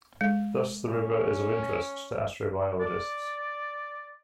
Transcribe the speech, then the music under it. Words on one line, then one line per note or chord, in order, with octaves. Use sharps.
Thus the river is of interest to astrobiologists.
G#3
C#4
D5